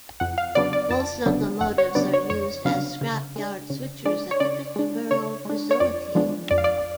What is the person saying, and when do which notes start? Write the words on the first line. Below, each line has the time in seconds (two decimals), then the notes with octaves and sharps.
Both locomotives are used as scrap yard switchers at the Pittsboro facility.
0.20 F2 F#5
0.38 F5
0.55 C#3 F#3 B3 D4 D5
0.73 D5
0.90 F2 A5
1.26 C#3 F#3 B3 D4
1.60 F2 F#5
1.78 C#5
1.95 C#3 F#3 B3 D4 D5
2.13 C#5
2.30 F2 C#5
2.65 C#3 F#3 B3 D4 F5
3.01 C#3
3.36 G#3 D4
3.70 C#3
4.05 G#3 D4 D5
4.31 C#5
4.40 C#3 D5
4.76 G#3 D4
5.11 C#3 C#5
5.45 G#3 D4
5.71 C#5
5.80 F2 D5
6.15 F3 G#3 B3 D4
6.51 F2 D5
6.58 F5
6.64 D5